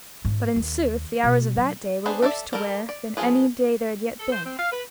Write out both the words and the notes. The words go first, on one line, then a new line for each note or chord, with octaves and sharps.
But in sooth the hours of that day were worse to wear than any day there had yet been.
G#2
D#2
B2
F#3
B3 D4 G#4 B4 C5
A4 A#4 C#5 D5 E5
G3 A4 A#4
D5
F3 A#3 F4 G#4 B4
A4
C5
C4
F5
B4